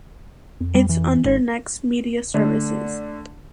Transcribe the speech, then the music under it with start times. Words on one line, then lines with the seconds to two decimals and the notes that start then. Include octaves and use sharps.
Its under Next Media Services.
0.60 F2
0.75 G3
0.89 E3
1.25 G#1 G#2
2.34 D3 A3